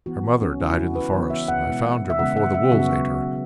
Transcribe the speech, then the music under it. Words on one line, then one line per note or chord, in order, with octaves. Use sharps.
Her mother died in the forest and I found her before the wolves ate her.
E3 B3 F#4
C#4
C#3 G#3 B3 E4
E4
F#4
B4
C#3 E3 B3 C#5
E5
F#5
B2 G#3 B3
E5
C#3 E3 G#3 B3 F#5
F#5
E5
C#3 F#3 B3 F#4